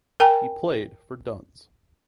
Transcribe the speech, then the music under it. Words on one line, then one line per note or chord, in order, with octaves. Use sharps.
He played for Duns.
A#4 G5 G#5 A#5